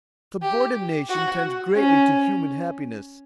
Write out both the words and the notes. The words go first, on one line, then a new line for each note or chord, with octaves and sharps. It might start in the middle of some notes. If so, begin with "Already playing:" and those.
Subordination tends greatly to human happiness.
G4
F#4
C#4